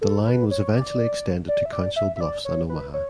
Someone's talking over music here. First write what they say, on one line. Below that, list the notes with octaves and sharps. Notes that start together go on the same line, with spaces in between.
The line was eventually extended to Council Bluffs and Omaha.
A4
B4
C#5
D5
D5
E5
D5
E5
E5
D5
C#5
B4
C#5